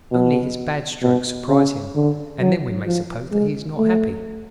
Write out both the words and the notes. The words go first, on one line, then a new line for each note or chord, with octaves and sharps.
Only his bad strokes surprise him, and then we may suppose that he is not happy.
B2
B2
C#3
D3
F#3
F3
G#3
A3